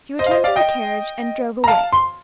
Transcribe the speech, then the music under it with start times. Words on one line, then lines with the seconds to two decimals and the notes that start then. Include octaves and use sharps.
She returned to her carriage and drove away.
0.19 C5 D#5
0.26 F5
0.31 C5 D#5
0.44 D5 F5
0.56 D#5 G5
1.64 A#5
1.68 F5 A5
1.92 C6